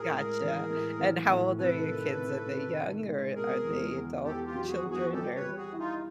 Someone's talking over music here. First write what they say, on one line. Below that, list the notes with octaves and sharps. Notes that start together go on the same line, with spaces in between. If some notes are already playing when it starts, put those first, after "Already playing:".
Gotcha. And how old are your kids? Are they young, or are they adult-children? Or
Already playing: A2 G#4 A#4
G#3
E3
A2
E3
A2
C3 A4 B4
D#3
C3
C3
D#3
G#3
B2 G#4 A#4
E2
E2
E2 G4 A4
F4 G4
F#3
F#4 G#4
E2
F#4 G#4
G3 G4 A4
B4 C#5
G3
F#4 G#4
E4
D#4 F4